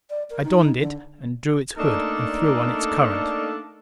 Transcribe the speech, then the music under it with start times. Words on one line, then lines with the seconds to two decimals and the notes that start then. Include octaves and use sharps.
I donned it and drew its hood, and threw on its current.
0.10 D5
0.30 A#4
0.44 D#4
0.80 D3
1.78 A3 A#3 D4 D#4 A4 D5